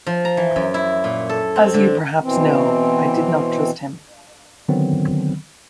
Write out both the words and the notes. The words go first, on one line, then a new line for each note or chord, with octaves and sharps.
As you perhaps know I did not trust him.
F3
A#5
E3
F#2
E4
A#2
A4
C4
D3
B2 E3 C4
D3 D#3 F#3 B3 C4